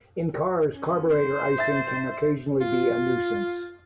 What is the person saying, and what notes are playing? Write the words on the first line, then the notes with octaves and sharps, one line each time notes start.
In cars, carburetor icing can occasionally be a nuisance.
C#4
C5
E5 A6
F4